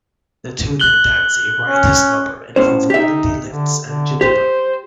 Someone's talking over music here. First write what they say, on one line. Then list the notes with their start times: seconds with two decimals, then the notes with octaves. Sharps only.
The two then dance a riotous number involving Lindy lifts and jitterbugging.
0.80 F#6 F#7 G7
1.68 C#4
2.56 A2 C#4 C5
2.90 D#4 G4 E5
3.49 D3
3.82 D3
4.21 G4 C5